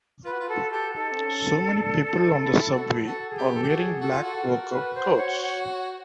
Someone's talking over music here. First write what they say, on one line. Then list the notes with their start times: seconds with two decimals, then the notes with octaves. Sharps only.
So many people on the subway are wearing black workout clothes.
0.25 F4 B4
0.33 F#4
0.40 F4
0.48 F#4 A4
0.72 G4 A4
0.95 D#4 A4
1.12 C4
1.19 C#4
1.66 D4
2.13 D#4
2.45 E4
2.76 F#4
3.06 F#4 A4
3.30 G#4
3.38 G4
3.54 A4
3.64 G4
3.69 F#4
3.77 G#4
4.01 F#4 A4
4.12 F4
4.23 F#4 A4
4.48 A#4
4.71 B4
4.95 C5
5.17 C#5
5.42 C#5